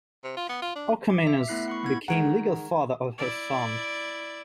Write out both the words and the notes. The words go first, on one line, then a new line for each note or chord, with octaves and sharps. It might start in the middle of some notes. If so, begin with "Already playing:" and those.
Orchomenus became legal father of her son.
C3
F4
B3
F4
D4
D6
E5
A3 B3 E4 F#6 C7
F#5 B5 C#6
A#3 B3 E4 G#6
D#3 G#3 D#4 F#5 A#5 C#6 G#6
E4 D5